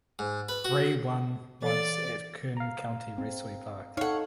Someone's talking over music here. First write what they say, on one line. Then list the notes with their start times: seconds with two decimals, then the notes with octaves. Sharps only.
Gray won once at Kern County Raceway Park.
0.19 G#2
0.49 B4
0.64 F#4
1.62 E3 A4 C#5 D5 A6
2.57 F5 A#5
3.18 C4
3.97 D#4 A4 C#5 F5 F#5